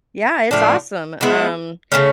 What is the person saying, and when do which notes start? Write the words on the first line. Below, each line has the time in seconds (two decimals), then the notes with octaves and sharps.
Yeah, it's awesome, um,
0.51 A2 F3 A3 D4
1.21 G#3 B3 E4
1.92 C#3 E3 A3 C#4